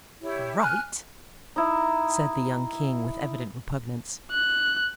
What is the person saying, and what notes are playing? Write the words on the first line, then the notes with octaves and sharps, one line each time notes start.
"Write!" said the young king, with evident repugnance.
E4 G4 C#5
G#5 F6 F#6
D#4 E4
F#6